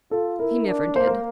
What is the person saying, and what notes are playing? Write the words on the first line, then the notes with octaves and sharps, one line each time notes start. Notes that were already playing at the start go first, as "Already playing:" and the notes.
He never did.
F4 A4
E4 A#4
D4
A#3 C5
A#4